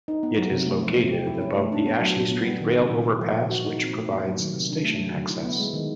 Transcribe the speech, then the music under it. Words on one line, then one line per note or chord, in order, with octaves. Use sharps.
It is located above the Ashley Street rail overpass, which provides station access.
D#4
B3
F#3
C3
A3
F3
C3
G4
E4
C#4
A3
D4
B3
F#3
A#2
B3
G3
D#3
C3
A#2
A#3
F3
A#2
F#4
D#4
C4
A3
A#3
F#3
D#3
C3
D4
A3
F#3
D3
E4
B3
G#3
D#3